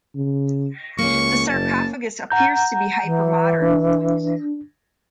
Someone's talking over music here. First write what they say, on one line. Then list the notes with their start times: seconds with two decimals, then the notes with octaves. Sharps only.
The sarcophagus appears to be hyper-modern.
0.15 C#3
0.99 C#2 A#3 C#4 C#6
1.49 F#1 A5
2.30 F#5 A#5 G6
3.04 E3
3.62 D4